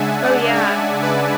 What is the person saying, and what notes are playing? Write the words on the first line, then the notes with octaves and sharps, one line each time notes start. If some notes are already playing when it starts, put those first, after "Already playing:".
Oh, yeah.
Already playing: C#3 G#3 D4 E5 F#5 G#5 A5
D5 F#5
E5 G#5
B4 D5